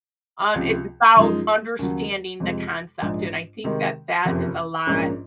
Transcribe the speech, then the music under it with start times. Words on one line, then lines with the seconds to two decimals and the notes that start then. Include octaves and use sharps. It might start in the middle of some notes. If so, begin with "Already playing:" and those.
Um, it's about understanding the concept, and I think that that is a lot
0.55 C#2 C3 F3
1.17 F#2 F3 G#3 D#4
1.79 D#2 C#3 F#3
2.40 F2 C3 F3 G#3
3.02 A#1 G#2 F3 G#3
3.64 C3 D#3 G#3
4.25 F#1 F2 C3 F3
4.87 A#1 G#2 F3 A#3 C#4